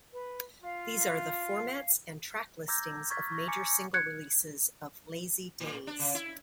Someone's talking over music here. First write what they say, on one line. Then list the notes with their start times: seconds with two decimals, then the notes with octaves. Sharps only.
These are the formats and track listings of major single releases of "Lazy Days".
0.13 B4
0.64 F4 F5
2.68 A#5 D6 E6 G6 G#6 A#6
3.10 C#6 F6 G#6 A6 B6
3.32 C#6 A#6
3.48 G#5 A#5 D6 C#7
3.94 F#6 G#6 C#7
5.60 A2
5.87 D4
5.99 C#3
6.15 E4